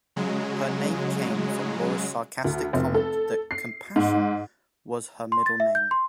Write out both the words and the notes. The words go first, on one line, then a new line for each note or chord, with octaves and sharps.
Her name came from Laura's sarcastic comment that "Compassion" was her middle name.
C#3 F#3 G#3
D2
F1
A4
C7
G#2
C6
A6
E5
G6
C6